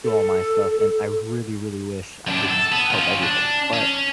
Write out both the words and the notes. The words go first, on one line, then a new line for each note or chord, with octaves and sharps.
do all my stuff, and I really, really wish I could help everybody, but,
A4
F#2 D4
A4
B3
C#4 F4
D4
C#4